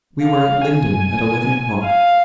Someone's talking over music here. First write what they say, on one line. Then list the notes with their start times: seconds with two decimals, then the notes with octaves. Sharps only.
We were at Lyndon at eleven o'clock.
0.22 F5
0.62 G#5
1.84 F5